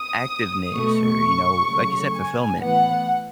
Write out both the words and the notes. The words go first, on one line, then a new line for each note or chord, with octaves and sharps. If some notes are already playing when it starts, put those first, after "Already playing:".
activeness or, you know, like you said, fulfillment,
Already playing: D#6
B2 A3 C#6
C#3 F#3 A3
G#5
A2 E3 B3 F#5